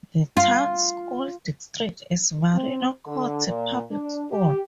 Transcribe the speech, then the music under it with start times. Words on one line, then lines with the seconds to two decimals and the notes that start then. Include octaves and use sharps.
The town's school district is Marion County Public Schools.
0.37 F4
2.54 C4
3.07 D3
3.47 A#2
3.91 D4
4.31 G4